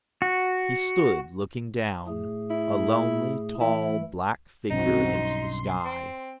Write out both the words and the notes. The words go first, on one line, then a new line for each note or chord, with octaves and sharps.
He stood looking down, a lonely, tall, black figure against the sky.
F#4
A2 A3 G#4
E4
E3 A3 E4
B1 G2 C4 C#4 D#4 F#4
C6
C4